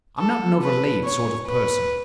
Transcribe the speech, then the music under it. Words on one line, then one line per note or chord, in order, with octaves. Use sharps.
I'm not an overlaid sort of person.
A4
B4
C#5
B4